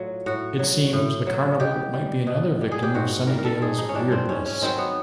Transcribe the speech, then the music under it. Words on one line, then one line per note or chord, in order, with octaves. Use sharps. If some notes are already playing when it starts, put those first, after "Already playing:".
It seems the carnival might be another victim of Sunnydale's weirdness.
Already playing: A2 F#3 F4
A2 F#4
F#3
A2
F#3
B2 G4
G3
B2
G3
G#4
G4
G#2 F#4
E3 G3 A#4
A#4
A4
G#2 G#4
D#4
C#4
E3 G3 D4
C4
G#2 C#4
C#4
D#3 F#3 C4
B3